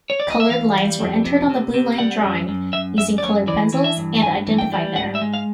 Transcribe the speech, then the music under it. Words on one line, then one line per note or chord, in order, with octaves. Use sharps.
Colored lines were entered on the blue-line drawing using colored pencils and identified there.
C#5
D5
D#5
E5
E3 F5
G3
F2
C3
C3
C3
G3 F#5
F#2
F#2
F#2 E5
F#2 E5
D5
F#2 C#5
E3 D5
E3
E5
G2
G2 G#5
E3
G5
G3
G#2 F#5
E5
G#3
F5